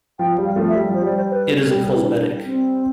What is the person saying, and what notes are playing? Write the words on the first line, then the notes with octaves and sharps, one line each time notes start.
It is a cosmetic.
F3 G5
G3
F5
F3 A3
E5
G3
F3
C5
G3 D5
C5
B4
A4
G3 G4
E4
D4
E4
D4
C4